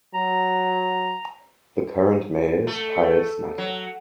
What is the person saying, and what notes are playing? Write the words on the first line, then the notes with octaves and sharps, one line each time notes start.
The current mayor is Pius Natter.
F#3 A#5
A3
F#3